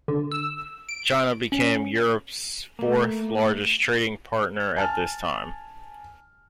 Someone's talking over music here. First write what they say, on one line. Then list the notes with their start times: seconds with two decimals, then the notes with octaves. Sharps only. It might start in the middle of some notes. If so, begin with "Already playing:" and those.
China became Europe's fourth largest trading partner at this time.
0.08 D3
0.31 E6
0.89 D7
1.52 C#4
2.79 A3 A#3
4.76 G#5 A5 F6